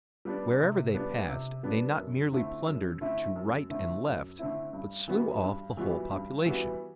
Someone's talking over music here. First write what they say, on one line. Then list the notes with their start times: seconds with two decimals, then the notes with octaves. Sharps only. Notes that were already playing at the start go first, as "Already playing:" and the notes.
Wherever they passed they not merely plundered to right and left, but slew off the whole population.
0.25 G3 B3 D4
0.60 C3
0.94 G3 B3 D4
1.29 C3
1.63 G3 B3 D4
1.98 F#2
2.32 D3 A3 C4 E4
2.67 F#2
3.01 D3 A3 C4 E4
3.36 F#2
3.70 D3 A3 C4 E4
4.05 F#2
4.39 D3 A3 C4 E4
4.73 G2
5.08 E3 G3 B3 F#4
5.42 G2
5.77 E3 G3 B3 F#4
6.11 G2
6.45 E3 G3 B3 F#4